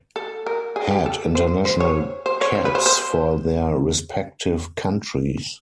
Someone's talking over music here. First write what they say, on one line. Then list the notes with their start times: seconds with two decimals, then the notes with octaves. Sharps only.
Had international caps for their respective countries.
0.16 A4
0.46 A#4
0.76 G#4
0.91 G4
1.06 A4
1.35 C5
1.65 C5
1.80 C#5
2.26 C5
2.41 C#5
2.55 C5
2.65 B4
2.75 C5
2.86 C5